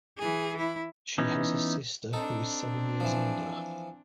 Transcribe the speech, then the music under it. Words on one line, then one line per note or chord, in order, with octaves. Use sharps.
She has a sister who is seven years older.
E3 G#4
E4
E3 B3 C#4 D#4
C4 D4 D#4 A4
E3 F3